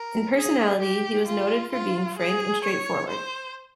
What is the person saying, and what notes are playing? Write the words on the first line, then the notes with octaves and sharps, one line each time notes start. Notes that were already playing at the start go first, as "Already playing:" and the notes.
In personality he was noted for being frank and straightforward.
Already playing: A#4
G#4
G4
F4
F4
G#4
C#5
C5